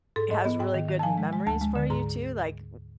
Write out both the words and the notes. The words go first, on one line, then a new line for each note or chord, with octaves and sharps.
has really good memories for you too, like,
G#2 A4
G#2 D#5
B3 D#5
G#2 G5
D#3
D#3
A5
F3 G#5
G#3
G#3
D2 A5
G#3
D3
G#2 A#5